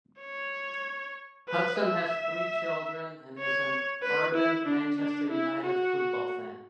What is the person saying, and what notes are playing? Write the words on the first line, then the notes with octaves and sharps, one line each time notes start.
Hudson has three children and is an "ardent Manchester United football fan".
C#5
B4
E5
C#5
B4
E4
D4
D4
E4
F#4